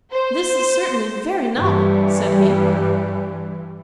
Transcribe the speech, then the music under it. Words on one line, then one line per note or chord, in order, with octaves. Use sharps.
"This is certainly very novel," said he.
C5
G2 E3 G3